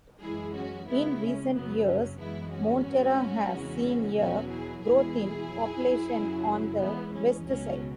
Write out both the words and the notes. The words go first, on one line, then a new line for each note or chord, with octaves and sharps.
In recent years, Monteria has seen a growth in population on the west side.
F#2 E3 G#3 E4 G#4
C#4 F#4
C#2 C#3 G#3 B3 E4
C#4
F#2 C#3 F#3 B3
C#4
F#2 E3 G#3 B3 E4
C#4 F#4
G#2 F#3
E2 C#3 E3 G#3
E2 B2 F#3 C#4 F#4
E4 G#4
E2 B2 G#3 E4 G#4
F#2 F#3
F#2 C#3 F#3
E2 E3 G#3 B3 E4
C#4
C#2 B2 F#3 C#4